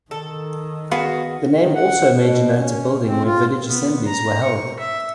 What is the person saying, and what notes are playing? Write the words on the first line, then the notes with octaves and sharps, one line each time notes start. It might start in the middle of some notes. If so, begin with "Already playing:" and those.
The name also may denote a building where village assemblies were held.
D#3 A4
B3 F#4 G#4 F5
D#3
F#5
B2
C#4
C4
F4
B3
A#5
C#6
E5